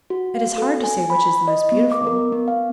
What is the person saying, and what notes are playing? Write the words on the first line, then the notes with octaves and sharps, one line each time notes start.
"It is hard to say which is the most beautiful."
F#4
F5
A4
G#5
B5
D#5
B3
D6
A#4
B3
F5